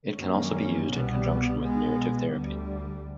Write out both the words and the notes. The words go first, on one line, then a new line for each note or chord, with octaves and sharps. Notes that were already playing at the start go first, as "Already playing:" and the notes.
It can also be used in conjunction with Narrative Therapy.
F#2 D#3 G3 A#3 C#4
C2 B2 G3 B3
B2 G#3 B3
D2 D3 G3